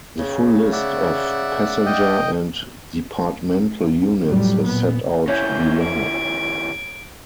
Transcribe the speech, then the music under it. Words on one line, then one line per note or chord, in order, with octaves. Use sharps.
The full list of passenger and departmental units is set out below.
C#3
D5 E5 F#5
D#5 G5
F2 A2 F#3 G3
A#2 B3
D#2 C#4 E4 G6
G#6 D7